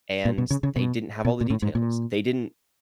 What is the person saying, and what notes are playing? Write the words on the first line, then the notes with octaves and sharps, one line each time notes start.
and they didn't have all the details, they didn't
A#2
B2
C#3
C#3
B2
B2
A#2
A2
G#2
A#2